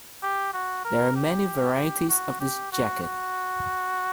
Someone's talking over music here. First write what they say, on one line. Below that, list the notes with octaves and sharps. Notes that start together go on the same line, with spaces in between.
There are many varieties of this jacket.
G4
F#4
A#4
G4
F#4
G4
F#4
F#4